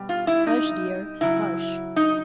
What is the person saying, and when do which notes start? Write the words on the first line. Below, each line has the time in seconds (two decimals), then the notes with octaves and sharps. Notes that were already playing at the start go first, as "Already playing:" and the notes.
'Hush, dear, hush!
Already playing: B2 G3
0.09 F4
0.27 E4
0.47 D#4
1.21 C#3 F#3 E4
1.96 D#4